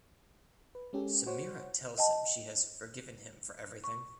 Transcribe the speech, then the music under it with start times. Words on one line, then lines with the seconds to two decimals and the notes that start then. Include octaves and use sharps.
Sameera tells him she has forgiven him for everything.
0.75 B4
0.93 G#3 C#4 G4 A4
1.26 F#4 C5 C#5 F#5
1.98 D#5 G5 A5
3.84 C#6